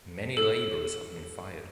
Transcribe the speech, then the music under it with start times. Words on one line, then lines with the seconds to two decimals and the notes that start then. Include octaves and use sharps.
Many laborers have been fired.
0.37 A4